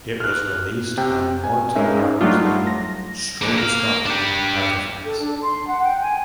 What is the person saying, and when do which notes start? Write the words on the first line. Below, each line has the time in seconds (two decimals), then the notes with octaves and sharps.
It was released on Mortellaro's label Stroboscopic Artefacts.
0.20 F6 F#6
0.97 C3 G5
1.44 G#5
1.75 G#3 C#4 D#4 A#4 E5
2.21 F#3 G3 A3 D4 D#4 F4
2.67 A#6
3.42 A#3 D4
3.58 A#4 F5
4.06 D4 G4
5.04 A4
5.19 D4
5.41 C6
5.66 F#5
5.83 G5
6.00 G#5